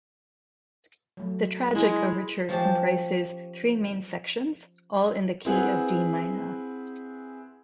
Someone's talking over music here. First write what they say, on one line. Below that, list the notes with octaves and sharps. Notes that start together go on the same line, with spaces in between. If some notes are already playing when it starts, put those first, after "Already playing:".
The "Tragic Overture" comprises three main sections, all in the key of D minor.
F#3 A3
G#3 E4 G#4
F3 C#4 G4 A5
C4 E4 G#4 B4 F#5